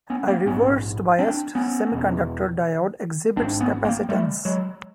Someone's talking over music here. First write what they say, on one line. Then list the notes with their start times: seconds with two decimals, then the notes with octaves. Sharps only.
A reversed-biased semiconductor diode exhibits capacitance.
0.10 B3 C#4
0.28 A#3 C4
0.46 A#1 G#2 B3 C#4
1.19 C4 D4
1.55 B3 C#4
1.91 E1 E2 B2
3.36 G#1 G#2 C4 D4
3.61 B3 C#4
3.85 A#3 C4
4.09 G3 A3
4.45 F#3 G#3